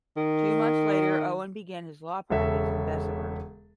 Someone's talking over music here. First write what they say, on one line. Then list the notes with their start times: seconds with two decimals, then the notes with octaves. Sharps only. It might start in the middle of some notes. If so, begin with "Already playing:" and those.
Two months later Owen began his law practice in Bessemer.
0.17 D#3
2.30 E1 C#3 A4 E5